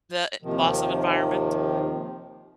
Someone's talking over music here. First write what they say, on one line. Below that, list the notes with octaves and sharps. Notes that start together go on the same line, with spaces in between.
the eh loss of environment?
D#2 C3 D#3 F3